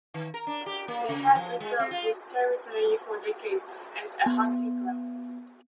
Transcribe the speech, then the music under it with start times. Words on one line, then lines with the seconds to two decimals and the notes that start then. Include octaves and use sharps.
They had reserved this territory for decades as a hunting ground.
0.14 D#3
0.34 A#4
0.47 D4
0.66 G4
0.88 A#3
1.09 C#3
1.35 F3
1.60 G#3
1.79 C4
1.91 F4
4.26 B3